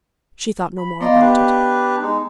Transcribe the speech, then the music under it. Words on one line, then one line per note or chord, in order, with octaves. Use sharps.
She thought no more about it.
B5
B3 D5 D#5 F5 A#5 C6
D4 G4 B4 G5
G#3 D#4